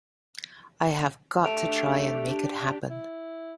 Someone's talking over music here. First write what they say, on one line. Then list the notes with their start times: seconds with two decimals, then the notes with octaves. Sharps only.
I have got to try and make it happen.
1.45 A3 D4 G4 A5 D7 F7
2.90 E4